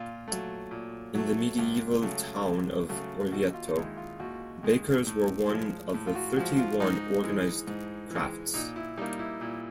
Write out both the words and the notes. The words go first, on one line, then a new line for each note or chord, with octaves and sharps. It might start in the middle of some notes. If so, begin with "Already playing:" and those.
In the medieval town of Orvieto, bakers were one of the thirty-one organized crafts.
Already playing: A#2 F4
F#3 A3
A#2
F#3 A3
C#2
C#3 F#3 A3
C#2
C#3 F#3 A3
D#2 F#4
F4
D#4
D#3 G#3 E4
F4
D#2 F#4
D#3 G#3
A2
F3 G#3
A2
F4
F#4
F3 G#3 F#4
F4
G#2 D#4
E3 G#3
G#2
E3 G#3
A#2 D#4
E4
G3 A#3 D#4
E4
A#2 E4